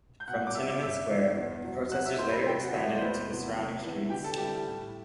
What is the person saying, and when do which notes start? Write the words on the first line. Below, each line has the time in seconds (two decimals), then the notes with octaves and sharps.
From Tiananmen Square, the protesters later expanded into the surrounding streets.
0.20 G6
0.28 B2 F#5 F#6
0.47 D6
0.55 G3 D4 E5 E6
0.82 G2 E5 E6
1.10 E3 B3 D4
1.37 E2
1.64 B2 F#3
1.92 C3 F#5 F#6
2.06 E5 E6
2.19 F#3 A3 E4 C5 C6
2.32 B4 B5
2.46 C3 G4 G5
2.60 F#4 F#5
2.74 E3 A3 E4 E5
2.88 D5
2.94 C5
3.01 E2 B4
3.10 C5
3.29 C3 F#3 B3 E4
3.56 C3
3.83 E3 B3 E4
4.10 D3 G4 G5
4.24 A4 A5
4.37 G3 C4 E4 G4 G5
4.66 A2